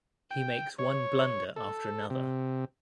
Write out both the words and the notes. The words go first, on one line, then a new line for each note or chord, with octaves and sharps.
He makes one blunder after another.
G5
C#5
A4
C3